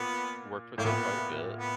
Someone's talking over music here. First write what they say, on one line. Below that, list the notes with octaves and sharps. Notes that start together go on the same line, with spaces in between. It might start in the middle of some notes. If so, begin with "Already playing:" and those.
worked with him quite a bit,
Already playing: A#2 B3
A2 A#3
A#2 B3
B3